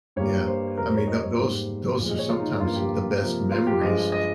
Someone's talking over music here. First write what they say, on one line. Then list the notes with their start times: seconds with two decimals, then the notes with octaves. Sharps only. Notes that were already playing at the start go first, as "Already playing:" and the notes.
Yeah. I mean, tho those those are sometimes the best memories,
0.16 G2 G3 A#3 C#5
0.47 C5
0.77 F2 C3 G3 A#3 A#4
0.88 C5
0.97 C#5
1.08 D#5
1.18 D#5
1.23 C#5
1.38 G#2 G3 A#3 C5
1.99 A#2 F3 G#3
2.09 D#5
2.19 C#5
2.29 F4
2.40 D#4
2.60 G2 F3 A#3 F4
2.76 G4
3.20 C3 F3 A#3
3.51 F4
3.67 G4
3.81 G2 F3 G#3 D#5
4.12 D#5